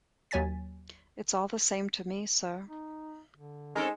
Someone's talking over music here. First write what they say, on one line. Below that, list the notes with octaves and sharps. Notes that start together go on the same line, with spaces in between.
It is all the same to me, sir.
D#2 F#3 C#5 G#5 A6 B6
D#4
D3
G#3 C4 C#4 D#4 A4 A#4 G#5